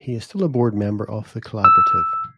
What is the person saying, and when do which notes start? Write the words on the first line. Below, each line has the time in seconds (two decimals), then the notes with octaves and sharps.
He is still a board member of the Collaborative.
1.64 E6